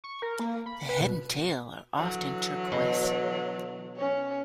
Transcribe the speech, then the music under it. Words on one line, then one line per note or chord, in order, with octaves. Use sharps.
The head and tail are often turquoise.
C#6
A#4
A#3
B5
B4
B2
D3 E3 F#3
B2
C#4 C#5